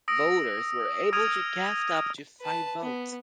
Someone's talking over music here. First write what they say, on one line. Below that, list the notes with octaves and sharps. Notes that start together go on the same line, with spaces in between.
Voters were able to cast up to five votes.
D#6 E6 A#6 D7
D#6 F6 G#6 D7 D#7 F7
B4 A5
B3